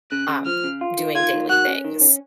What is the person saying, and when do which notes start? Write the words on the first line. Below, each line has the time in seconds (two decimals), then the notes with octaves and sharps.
um, doing daily things.
0.11 C#3 F#6
0.28 C#3
0.46 F3 F6
0.64 C#3
0.81 F4
0.98 D#3
1.15 F4 G#6
1.33 D#3
1.49 F#4 F#6
1.68 C#4
1.85 D#3
2.01 C#4